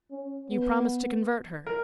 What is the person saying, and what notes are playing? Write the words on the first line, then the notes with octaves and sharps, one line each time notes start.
"You promise to convert her?"
C#4
B3
A#4